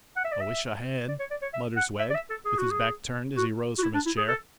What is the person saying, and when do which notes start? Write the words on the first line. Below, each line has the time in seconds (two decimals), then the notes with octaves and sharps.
'I wish I had,' mutters Wegg, with his back turned as he rose from his chair.
0.16 F#5
0.25 E5
0.32 D5
0.41 E5
1.09 D5
1.19 C#5
1.31 D5
1.42 C#5
1.54 E5
1.77 F#5
2.00 E5
2.10 D5
2.15 E5
2.30 A4
2.45 G#4
2.59 F#4
2.71 G#4
3.37 F#4
3.79 F#4
3.83 E4
3.94 D4
4.06 E4
4.17 G#4
4.28 A4